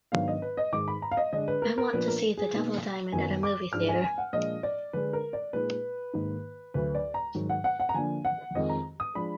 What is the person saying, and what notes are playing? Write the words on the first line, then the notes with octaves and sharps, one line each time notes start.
I want to see The Devil Diamond at a movie theatre.
G#2 D#3 F#3 B3 D4 F5
D#5
B4
D#5
G#2 D#3 G#3 D#4 D6
B5
A#5
F5
D#5
D3 G#3 D4 D#5
B4
A#4
A#4
A#2 F3 B3 D4 B4
A#4
G#4
B2 A#3 D#4
F#2 D#3 F#3 B3 D#4 G#5
D6
G#2 F3 G#3 D4 F6
G#5
G#5
F#5
A#2 F3 G#3 D4 D#5
D5
D3 G#3 D4 B4
A#4
D5
A#2 G#3 D#4 B4
G#2 D#3 A#3 D#4
D2 D3 F#3 B4
D5
A#5
G#2 D#3 F#3
F#5
F#5
F#5
A#5
D3 F3 A#3 D4 G#5
F#5
F2 D#3 G#3 D#5
A#5
D#6
F3 G#3 D4 B5